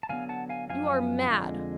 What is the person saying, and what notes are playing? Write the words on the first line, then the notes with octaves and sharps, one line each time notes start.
'You are mad!
A5
F2 D3 F#3 B3 F5 G#5
F#5 A5
F5 G#5
F#2 F3 A3 F5 G#5
F2 D3 F3 G#3